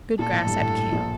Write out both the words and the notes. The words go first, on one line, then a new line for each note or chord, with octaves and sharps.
Good grass at camp.
A#2 A4
A2
G2
A2
A#1 A#2